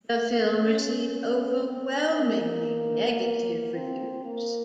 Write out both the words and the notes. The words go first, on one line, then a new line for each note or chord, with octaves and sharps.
The film received overwhelmingly negative reviews.
A#3
C#4
C4
A#3
C4
A#3